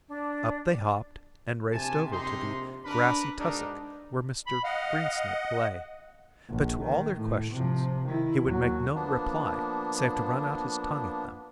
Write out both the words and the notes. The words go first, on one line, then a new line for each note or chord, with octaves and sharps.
Up they hopped and raced over to the grassy tussock where Mr. Greensnake lay, but to all their questions he would make no reply save to run out his tongue at them.
D4
A#1 C3 G#5 A5
D#4 C6
D4 A#4 B4 B5
G#2 B2 D4 D#4 A#4
B5
D#5 F5 F#5
A#1
D#3
A2
C3 F3
D#3 E4
D#2 F#3
F3 A#3 B3 D4